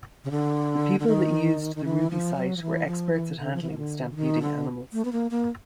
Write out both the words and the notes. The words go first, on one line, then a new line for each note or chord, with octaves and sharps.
The people that used the Ruby site were experts at handling stampeding animals.
C#3
D3
D3
D#3
D#3
E3
F3
F#3
F3
E3
F3
E3
D3
F3
E3
D#3
D3
D3
D#3
D3
A3
B3
A#3
A#3